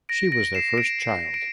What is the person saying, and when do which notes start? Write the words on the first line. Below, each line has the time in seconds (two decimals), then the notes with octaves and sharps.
She was their first child.
0.09 A#6 D7
0.32 A#6 D7
0.55 C7 E7
0.78 A#6 D7
1.34 D7